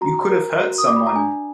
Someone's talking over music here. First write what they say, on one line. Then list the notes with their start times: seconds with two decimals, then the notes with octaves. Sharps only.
You could have hurt someone!
0.01 F#4 A#5
0.30 A#4
0.58 F#4
0.78 D#6
0.87 D5 D6
0.96 B5
1.07 A#5
1.16 D4 G#5